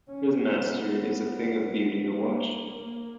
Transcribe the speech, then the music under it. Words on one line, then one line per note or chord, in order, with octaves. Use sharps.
His mastery is a thing of beauty to watch.
C#4
B3
A#3
A#3